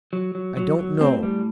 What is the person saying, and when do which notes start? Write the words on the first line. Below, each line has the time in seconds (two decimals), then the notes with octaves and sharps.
I don't know!
0.13 F#3
0.35 F#3
0.57 F#3
0.79 F#3
1.01 A2 C4
1.23 G3